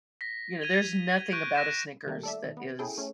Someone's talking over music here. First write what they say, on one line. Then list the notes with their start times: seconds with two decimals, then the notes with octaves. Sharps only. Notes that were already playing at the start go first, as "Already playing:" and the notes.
you know, there's nothing about a Snickers that is
0.21 A#6 B6
0.61 G#6 D#7 F7 G7
1.32 C#6 F#6 G6 A#6 D7 D#7
1.55 F#6 A#6 B6 D#7 E7
2.07 D#3 G3 A3 A#3
2.23 A4 D5 E5
2.44 D#3
2.57 B3
2.79 C#4 E4 G#4 A4 G5
2.97 A3 C#4